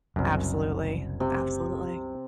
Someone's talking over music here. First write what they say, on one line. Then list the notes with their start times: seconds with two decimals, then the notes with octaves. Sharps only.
Absolutely. Absolutely.
0.16 F#1 C2 F#2
1.20 C3